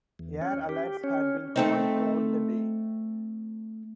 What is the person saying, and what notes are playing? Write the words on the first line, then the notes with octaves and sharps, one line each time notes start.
Air alerts had been called throughout the day.
E2
C#4
G4
C#4
A3 C4 D#4